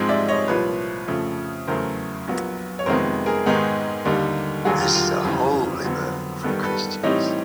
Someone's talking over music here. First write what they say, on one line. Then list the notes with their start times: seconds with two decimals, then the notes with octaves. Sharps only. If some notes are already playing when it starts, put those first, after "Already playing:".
This is a holy book for Christians.
Already playing: G#2 F3 G#3 C4 D#4
0.09 D5 E5
0.28 C#5 D#5
0.48 C2 A#2 F3 B4 C#5
1.08 F2 C#3 F3 A3
1.67 E2 C#3 F#3 A3 A#4 C5
2.28 A#1 A#2 F#3 B3
2.79 C#5
2.86 F2 C3 D#3 G#3 B3 A#4 C5
3.26 G#4 A#4
3.46 G#2 D#3 G#3 B3 D#4
4.05 D#2 D3 G3 A#3 D#4
4.65 E1 D#2 D3 F#3 F#4 G#4
4.80 F4 G4
4.95 F4
5.25 G1 F2 C#3 E3 G3
5.84 F2 D3 F#3 B3
6.43 G2 D#3 G3 B3 A4 B4
6.64 A4 B4
7.03 A2 E3 G3 C4 D#4 C#5 D#5